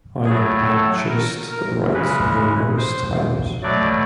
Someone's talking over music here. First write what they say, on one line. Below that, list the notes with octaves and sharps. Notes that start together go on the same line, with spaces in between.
I had chased the rights numerous times.
A2 F#3 A3 G#4
A4
A#4
A#4
C#3 E3 G#3 B4
C5
B2 F#3 A3 D5